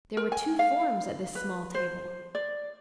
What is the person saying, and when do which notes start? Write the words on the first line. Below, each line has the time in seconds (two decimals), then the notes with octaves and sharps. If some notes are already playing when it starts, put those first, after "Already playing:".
There were two forms at this small table.
0.17 A#4
0.32 G#5
0.59 F5
1.35 B4
1.74 C5
2.35 D5